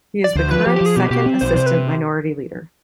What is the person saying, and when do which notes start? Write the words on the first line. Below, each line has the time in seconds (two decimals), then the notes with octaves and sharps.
He is the current Second Assistant Minority Leader.
0.24 D5
0.35 D2 C5
0.51 F3 B4
0.66 F3 G4
0.76 G4
0.81 F3
0.86 G#4
0.96 B2 G4
1.11 B2 G4
1.26 C4
1.41 B1 C5
1.56 C3 C5
1.66 B4